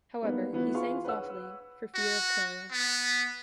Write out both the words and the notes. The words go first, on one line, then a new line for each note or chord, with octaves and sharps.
However, he sang softly, for fear of Clara.
G3 A#3 B3 D#4
E3 B3 E4 F#4
E4 F4 G#4 F5 C6 C#6
B4 C#5 F#5 E6
F#4
B3